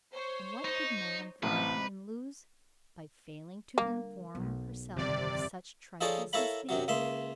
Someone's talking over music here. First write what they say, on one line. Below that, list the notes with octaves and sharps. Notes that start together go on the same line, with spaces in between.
And what did Madame Fontaine lose, by failing to inform herself of such trifles as these?
C5 C#5
D#4
A1 A2 C3 D#4 B4
D3 G3 A#3
B1
G1 F2 C3 D#3 D5
F3 D#4 G#4 A4 C#5 D5
E4 A4 A#4 C#5 F5 B5
F#2 C3 F#3
C#2 A#3 E5 C6